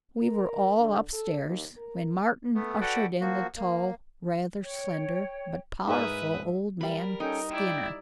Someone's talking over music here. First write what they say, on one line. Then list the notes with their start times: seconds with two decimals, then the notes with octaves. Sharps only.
We were all upstairs when Martin ushered in the tall, rather slender, but powerful old man, Skinner.
0.22 A#4
0.80 D3
1.13 A4
1.45 D#2
1.77 A#4
2.55 A3 B3
2.81 F#4 A4 B4 D5 F#5 G5
3.21 F3 A#3 F#4
3.57 A#3
4.62 C#5 G5
5.88 G#2 D#4 G#4 A#4 B4 E5 D#6
6.81 G3 A#4 B5
7.20 C#4 D#4 A4 G5
7.50 E4 D5 G5